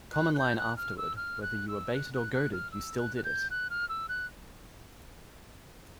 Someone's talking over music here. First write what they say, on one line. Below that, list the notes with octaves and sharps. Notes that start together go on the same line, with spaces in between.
Common line afterward whether you were baited or goaded you still did it.
F#6
F#6
G6
F#6
F6
E6
F6
F#6
E6
F#6
F#6
F#6
F6
E6
F#6
F#6
G6
F#6
F6
E6
F#6